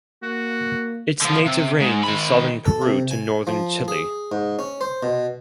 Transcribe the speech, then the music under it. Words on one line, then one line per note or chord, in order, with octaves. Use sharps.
Its native range is southern Peru to northern Chile.
A#3 F#4
D3 F3
C3
G#2
D#3 B5
A4
C3
G#5
F3
G#4
G#2
C#4
C5
B2